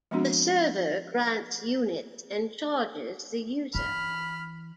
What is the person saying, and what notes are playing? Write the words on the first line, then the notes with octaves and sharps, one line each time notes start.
The server grants units and charges the user.
F3 G#3 B3 C4 D4 F#4
E3 B5 F6